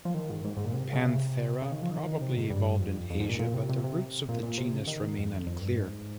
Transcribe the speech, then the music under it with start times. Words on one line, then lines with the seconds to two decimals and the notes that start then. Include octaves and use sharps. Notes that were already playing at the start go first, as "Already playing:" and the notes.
"Panthera" probably evolved in Asia, but the roots of the genus remain unclear.
0.05 F3
0.14 D#3
0.30 G#2
0.44 G#2
0.57 G#2
0.65 A#2
0.73 C3
0.93 C#3
1.03 C3
1.62 C#3
1.71 D#3
1.82 F3
1.91 D#3
2.21 C3
2.37 G#2
2.50 G2
2.80 F2
3.10 F2
3.20 G#2
3.29 A#2
3.39 A#2
3.54 C3
3.69 C3
3.84 C3
4.29 A#2
4.43 A#2
4.58 C3
4.73 C#3
4.87 D#3
5.17 F2
5.46 F2
5.61 G2
5.75 G#2